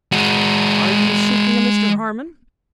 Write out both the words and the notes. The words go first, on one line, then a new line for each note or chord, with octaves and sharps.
'Are you seeking a Mr Harmon?'
G#3 F#4